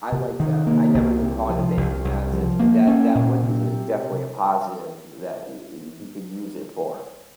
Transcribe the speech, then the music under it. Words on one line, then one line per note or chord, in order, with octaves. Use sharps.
I like that, I never even thought of it in that sense, but that that would be a definitely a positive that eh, eh, you could use it for.
C3
D#3
A#3
C2
C3
F3
C2
C2
F3
A#3
C#4
A#2
C3